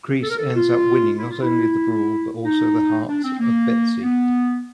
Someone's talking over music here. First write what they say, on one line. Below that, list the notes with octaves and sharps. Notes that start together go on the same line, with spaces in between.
Kreese ends up winning not only the brawl but also the heart of Betsy.
A4
A#4
A4
F4
E4
F4
E4
D#4
D4
C4
A#3
B3